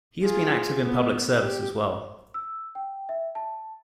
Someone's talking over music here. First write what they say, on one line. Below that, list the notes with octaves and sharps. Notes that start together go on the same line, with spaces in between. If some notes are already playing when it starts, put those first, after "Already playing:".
He has been active in public service as well.
F4 G#4
B3
G4
E6
G5
E5
A5